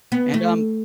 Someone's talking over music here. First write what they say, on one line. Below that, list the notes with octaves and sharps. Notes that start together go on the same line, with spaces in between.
and, um,
B3
A3